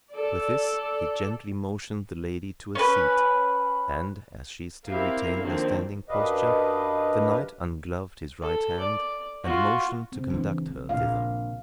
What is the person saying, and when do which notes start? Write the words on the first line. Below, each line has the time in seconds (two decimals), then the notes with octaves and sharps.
With this, he gently motioned the lady to a seat; and, as she still retained her standing posture, the knight ungloved his right hand, and motioned to conduct her thither.
0.12 A4 D5
2.75 C#4 B4
4.87 C4 E4 G4 A#4 E5 F5
5.41 D3 D#3 F3 F#3 A#3 C4
6.09 F#2 D4 G4 B4 D#5 F5
8.42 A4
8.79 D5
9.43 F4 F#4
10.12 C#3 C4
10.30 E3 D4
10.66 F3
10.89 A#1 F5